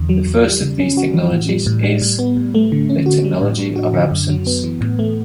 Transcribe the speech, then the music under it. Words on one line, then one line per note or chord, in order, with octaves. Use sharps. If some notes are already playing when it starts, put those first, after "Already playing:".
The first of these technologies is... the technology of absence.
Already playing: E2 D3
F#3
E2
G3
C#3
C#4
F#4
E3
A2
G3
A2
G3
A2
B3
A2
A3
D3
C#4
F#4
G3
A2
D4
F#4
D3
F#2
F#3
B3
E3
A2
A3